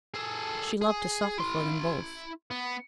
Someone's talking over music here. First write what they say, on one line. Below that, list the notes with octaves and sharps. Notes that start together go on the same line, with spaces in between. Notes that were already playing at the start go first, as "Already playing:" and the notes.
She loved to suffer for them both.
G#4 A4
G#4
E4 C6
B3